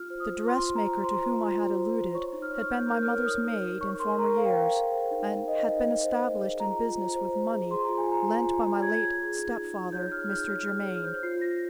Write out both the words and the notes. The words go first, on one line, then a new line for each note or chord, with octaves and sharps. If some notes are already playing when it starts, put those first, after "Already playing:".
The dressmaker to whom I had alluded had been my mother's maid in f ormer years, and had been established in business with money lent by my late step-father, Mr. Germaine.
Already playing: F4 F6
C5
D#6
F4
F4 C6
C5
A#5
C5
C5 C6
F4
F4
C5
C5
C5
C#5 C#6
D#4
F6
C#5
C#5 G6
A#4 G6
F6
C#5 G6
C#5 D#6
D#4
D#4
C#5 C#6
A#4 C6
A#4 A#5
C5 F5
G5
C5 F5
G#4
C5
D#4
D#4
C5 D#5
D#4
D#5
D#4
C5
C5
G#4
F4 A#5
F4
C5
C5
C5
G#4
G#4 C6
F4 A#5
G#5
G#4 A#5
F4
F4
F4
C#5 G#6
G#4
G#4
D#4
D#4
D#4
C#5 G6
G#4 F6
D#4 G6
C#5 F6
G#4
C#5
F6
C5 G6
F4 C7
F4 A#6